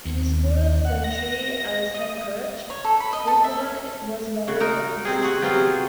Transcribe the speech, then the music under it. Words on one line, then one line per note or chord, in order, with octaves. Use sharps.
In his quarter-century as head coach, Osborne was a model of consistency.
D#2
F#5
A#6
D#5
C#5
A4
B5
D#5
A4
E5
C#3 F#4
D#4 A#4
C3 C4 G#4
F#4 G#4
C3 F#3 B3 C4 F4 G#4